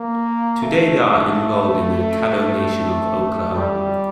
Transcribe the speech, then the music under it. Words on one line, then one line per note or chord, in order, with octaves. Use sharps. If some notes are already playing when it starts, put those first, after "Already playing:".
Today they are enrolled in the Caddo Nation of Oklahoma.
Already playing: A#3
A3
G3